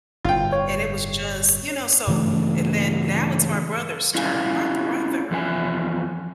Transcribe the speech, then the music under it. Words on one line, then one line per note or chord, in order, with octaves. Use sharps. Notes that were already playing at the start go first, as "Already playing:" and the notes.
and it was just, you know so, and then now it's my brother's turn. My brother
G1 A2 F4 G5
C#5
G2 C#3 E3 A3
C#4 E4 F4 G4 G#5
E2 F3 D#4 G#5